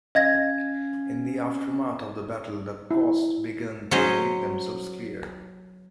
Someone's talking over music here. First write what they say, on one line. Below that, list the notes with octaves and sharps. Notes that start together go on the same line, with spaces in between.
In the aftermath of the battle, the costs began to make themselves clear.
C#4 D#5 F5 G#6 A#6
E4
F#3 C#4 C5 D#5